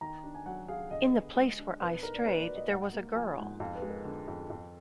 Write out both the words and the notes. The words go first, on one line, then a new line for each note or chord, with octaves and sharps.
In the place where I stayed there was a girl.
D#3 A#5
D4
G#5
F#3 F#5
G#4 F5
D3 D#5
B3
G#3
D4
B2 B4
D#4 A#4
D5
A#3 B4
D5
F#4
D#5
G#2 F#5
A#3
F3 G#5
G#2 F#5
F2 F5
B4
G#3
A#4
D3
F2
F2